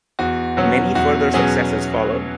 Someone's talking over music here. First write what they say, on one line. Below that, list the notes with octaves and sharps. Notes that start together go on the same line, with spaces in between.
Many further successes followed.
E2 F#4
B2 F#3 C#4 F#4
E2 F#4
B2 F#3 C#4 G#4